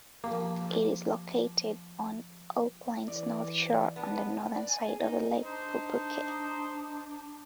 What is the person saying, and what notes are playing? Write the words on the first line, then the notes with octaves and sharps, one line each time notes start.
It is located on Auckland's North Shore on the northern side of Lake Pupuke.
F3 A#3 G4
E3 D5
B3 D4 B4
D5
G#5
G#4
D#4
D4 D#4 C5